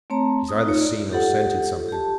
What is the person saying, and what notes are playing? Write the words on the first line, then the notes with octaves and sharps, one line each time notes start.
He's either seen or scented something.
A3 C4 C#5 A5 A#5
D#6
D#4 F4 C#5
D5
F4 G4 A4 F#5
G4 A5